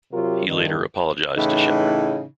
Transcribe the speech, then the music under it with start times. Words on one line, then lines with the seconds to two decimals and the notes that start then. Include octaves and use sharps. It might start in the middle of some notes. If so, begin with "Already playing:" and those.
He later apologised to Sheppard.
0.13 C3 F#3 F4 G4 A#4
0.46 G2 D#3
1.37 A2 C#3 E3 D#4